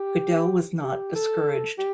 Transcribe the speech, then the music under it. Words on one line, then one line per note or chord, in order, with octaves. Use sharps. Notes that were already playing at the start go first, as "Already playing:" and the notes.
Goodell was not discouraged.
Already playing: G4
G4
A4
G4